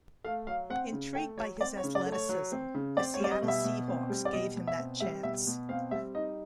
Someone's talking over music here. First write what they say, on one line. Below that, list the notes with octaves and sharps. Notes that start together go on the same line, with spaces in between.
Intrigued by his athleticism, the Seattle Seahawks gave him that chance.
A3 F5
F#3 F5
C4 F#5
C#3
A3 G5
F#3 C#5
C4 D5
C#5
C#3
D5
A3
C#5
F#3
C4
C#3
C4 D5
C#5
G3 D5
D#5
B2
E5
B2
C4
G3
D5
B2 D#5
B2
E5
C4
G3 E5
B2 E5
B2
C4 F5
G3 E5
D#4 D#5